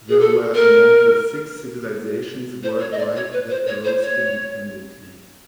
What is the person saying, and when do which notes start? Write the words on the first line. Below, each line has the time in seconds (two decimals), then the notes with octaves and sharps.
These were among the six civilizations worldwide that arose independently.
0.09 G#4
0.20 A4
0.54 A#4
2.63 C5
2.79 C#5
2.92 D#5
2.98 D5
3.15 C#5
3.32 B4
3.50 C5
3.67 C#5
3.84 C5
4.02 C#5